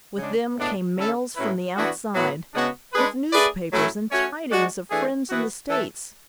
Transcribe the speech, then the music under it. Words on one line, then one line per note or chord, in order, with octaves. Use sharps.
With them came mails from the outside, with newspapers and tidings of friends in the States.
C#3 G#3 D4
A2 G#3 B3 D4
D3 A3 C#4 E4 A4
A2 F#3 C#4 E4 B4
E3 B3 D4 F#4
A2 F#3 B3 F#4 B4
C#3 G#3 B3 D4 F#4
G#3 D4 G#4 B4
A3 D4 G#4 B4 D5
A2 F#3 A3 C#4 E4
A3 C#4 F#4 C#5
G#3 D4 F#4
E3 A3 D4 G#4
E3 B3 F#4
E3 A3 E4 A4